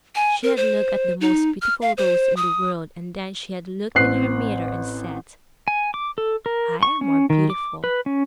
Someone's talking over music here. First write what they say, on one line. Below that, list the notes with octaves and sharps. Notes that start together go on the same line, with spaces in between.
She had looked at the most beautiful rose in the world, and then she had looked in her mirror and said, "I am more beautiful."
G#5
A#4
C5
D#4
F6
F5
C5
D#6
A1 C4 F#6 C7
G#5
D6
A4
A#4
C#6
C#4
D#3
D6
B4
C#4